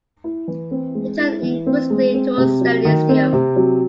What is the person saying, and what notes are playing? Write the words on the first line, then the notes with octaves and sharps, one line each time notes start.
He turned increasingly towards Stalinism.
E4
E3
C4
G#3
E4
E3
C4
G#3
C4
C3
F#3
D#3
C4
C3
F#3